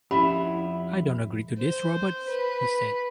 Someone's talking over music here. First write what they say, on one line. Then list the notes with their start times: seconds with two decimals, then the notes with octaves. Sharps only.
"I don't agree to this, Roberts," he said.
0.11 F2 C#4 E4 G4 E5 B5
1.59 C5
2.30 B4